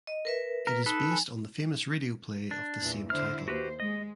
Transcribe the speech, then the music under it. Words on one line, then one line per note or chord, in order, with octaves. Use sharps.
It is based on the famous radio play of the same title.
D#5
A#4 B4 E5
A#4 B4
D#4 A4 B4
G#5
D4
E2 A#2 E3
D3 E4 C5 F6
D#2 F#4 G4 B4 C5
G#3 D#5